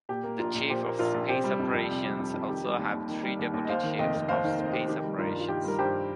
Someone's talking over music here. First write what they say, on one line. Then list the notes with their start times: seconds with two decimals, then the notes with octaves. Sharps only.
The chief of space operations also have three deputy chiefs of space operations.
0.09 A#2 G4
0.24 A#3
0.39 A#1 F4 A#4
0.54 A#1
0.69 A#2 G4 C5
0.84 A#3
0.99 A#1 F4 A#4
1.14 A#1
1.29 C3 G4 C5
1.44 G3
1.59 F2
1.74 F2
1.89 C3
2.04 G3
2.19 F2
2.34 F2
2.49 D#3 G4
2.64 G3
2.79 D#2
2.94 D#2
3.09 D#3
3.23 G3
3.39 D#2
3.54 D#2
3.65 D#5
3.69 D#2 C5 F5
3.84 D#3
3.99 F1 D#5 G5
4.14 F1
4.28 D#2 C5 F5
4.44 D#3
4.59 F1 C5
4.66 D#5
4.73 F1 G4 C5
4.88 D#3 G4
5.04 G3
5.18 G2 F4 A#4
5.34 G2
5.40 F4
5.49 D#3 G4
5.64 G3 A#4
5.79 G2 G4 C5